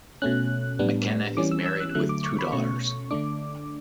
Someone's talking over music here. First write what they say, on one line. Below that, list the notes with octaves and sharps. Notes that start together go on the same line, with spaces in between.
McKenna is married with two daughters.
B2 A3 C#4 F#6
A2 G3 B3 D4
E3 G3 C#4 D6
E6
E6
F#6
D3 F#3 A3 F#6
D6
C#6
B5
B2 A3 C#4 C#6
D3 A3 D4 D6